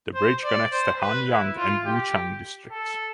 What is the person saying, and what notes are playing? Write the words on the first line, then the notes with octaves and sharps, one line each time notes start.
The bridge connects the Hanyang and Wuchang districts.
C5
D5
C5
B4
E4
F4
G4
A4